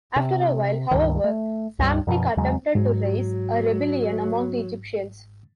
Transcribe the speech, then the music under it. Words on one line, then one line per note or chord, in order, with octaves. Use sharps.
After a while, however, Psamtik attempted to raise a rebellion among the Egyptians.
C3
C#2 G2 D#3
A3
C#2 G2 G3
F#2 B2 F3
E2 C#3 F#3 G#3
G#2 F#3